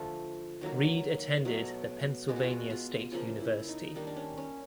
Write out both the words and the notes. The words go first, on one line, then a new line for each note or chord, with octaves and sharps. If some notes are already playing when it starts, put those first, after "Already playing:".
Reid attended the Pennsylvania State University.
Already playing: D3 F3 A3 F4
D#3 F#3 A#3
B2 F#3 A3
B2 G#3 B3 G4
F#4
F4
F#4
F4
C#3 F3 A#3 F4
E4
D#4
D#3 G3 A#3 D4
D4
C#4
C#4